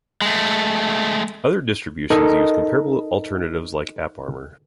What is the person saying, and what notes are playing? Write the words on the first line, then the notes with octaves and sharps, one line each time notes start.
Other distributions use comparable alternatives like AppArmor.
G#3 A3
D#4 A4 A#4 D#5